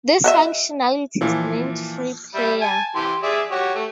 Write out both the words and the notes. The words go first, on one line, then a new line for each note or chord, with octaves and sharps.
This functionality is named Freeplayer.
F#4 D#5 E5
A#2 E3 F3
G3 E5 B5
G#5 A5
E3 G4 C6
G#4 D5 E5
F#4 G4 C#5
A3